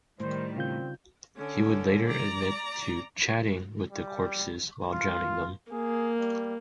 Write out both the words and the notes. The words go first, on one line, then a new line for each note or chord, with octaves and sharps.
He would later admit to "chatting" with the corpses while drowning them.
A2 D#3 G3 C5
C#3 C4 F4 G6
D3 C#4
D5 A#5
G3
F4
A#3 G#4
G3